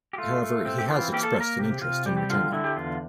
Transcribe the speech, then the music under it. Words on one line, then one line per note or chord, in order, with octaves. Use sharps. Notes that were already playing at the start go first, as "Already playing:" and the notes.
However, he has expressed an interest in returning.
G4
A3 F4
A3
C4
G4
E3 F4
A#3 G4
A4
A#3
A#4
C3 G4
C3 F4
G3 G4
G4
D3 F4
D3 E4
G4
E2 F4